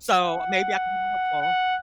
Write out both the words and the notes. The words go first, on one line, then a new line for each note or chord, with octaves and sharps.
so maybe I can be more helpful.
F#5
F#5